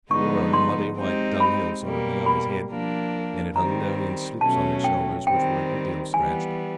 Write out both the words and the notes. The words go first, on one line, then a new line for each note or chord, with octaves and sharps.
He wore a muddy-white dunghill sort of thing on his head, and it hung down in slips on his shoulders, which were a good deal scratched.
D3 F3 G#3 B3 D#4 C#6
C6
G#3 C4 D#4 G4
B5
B2 G3 A#3
B5
F3 A#3 D4
D#3 G3 C4 A#5
B2 F#3 A3 C#4 A5
G5
D#3 G3 C4 G5
E3 G3 B3 G#5